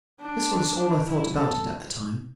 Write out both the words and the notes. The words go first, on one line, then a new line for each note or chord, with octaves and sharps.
This was all I thought about it, at the time.
D4
D4
E4
A4